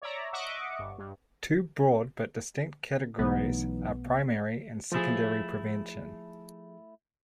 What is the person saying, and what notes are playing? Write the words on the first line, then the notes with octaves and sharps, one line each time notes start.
Two broad but distinct categories are primary and secondary prevention.
C#5 D5 E5 A#5
D#5 E5 F#5 C#6 D6
G1
G2
B1 E3 F#3 A3 B3 D#4
F3 A3 E4 G#4